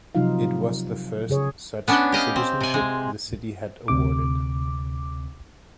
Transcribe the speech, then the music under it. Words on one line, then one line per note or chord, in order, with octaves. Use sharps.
It was the first such citizenship the city had awarded.
C3 F3 F#3 D#4 F4 F5
C#3 G#4 C#5
B3 C#4 D4
G4 D#5 F5
C4
C3 G#5
G#3
D2 C3 D6